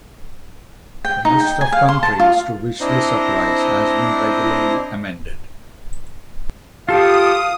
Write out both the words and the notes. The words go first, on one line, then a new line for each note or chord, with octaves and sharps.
The list of countries to which this applies has been regularly amended.
G5
D#4
G5
G#5
F5
C6
A5
F4
C4 D4 E4 C5 D#5 A#5
F4 G4 A4 F5 D#6